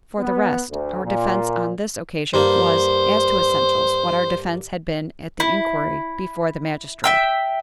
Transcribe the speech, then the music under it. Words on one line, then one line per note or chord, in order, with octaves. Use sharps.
For the rest, our defense on this occasion was, as to essentials, what our defense had been at the inquiry before the magistrate.
B3
D2
A#2
G2 A#3 C5
E4
E5 G5 E6